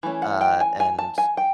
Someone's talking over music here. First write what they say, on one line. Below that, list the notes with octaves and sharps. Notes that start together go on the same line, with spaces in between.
uh, and
E3 A3 C#4
F#5
G5
G#5
G#5
A5
G#5
G5